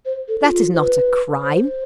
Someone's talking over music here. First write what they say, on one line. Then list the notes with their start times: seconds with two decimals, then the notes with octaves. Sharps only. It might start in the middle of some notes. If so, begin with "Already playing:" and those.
That is not a crime.
0.05 C5
0.28 A4
0.40 A4
0.44 F4
0.74 C5
0.78 B4
1.42 C5